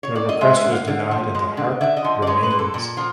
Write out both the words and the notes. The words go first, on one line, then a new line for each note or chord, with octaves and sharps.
The request was denied and the harp remains.
C#5
D5
D#5
G#3 E5
E5
D3
F5
D3
F3
G#3
D3
D3 E5
D#5
F3
D5
G#3 C#5
B4
A#2
A4
A#2
F3